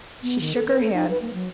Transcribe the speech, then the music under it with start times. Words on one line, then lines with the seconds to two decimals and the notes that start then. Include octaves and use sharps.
She shook her head.
0.23 B3
0.40 D#3
0.55 A4
0.68 B4
0.80 A4
0.94 D#4
1.10 B4
1.22 A#3
1.34 F#3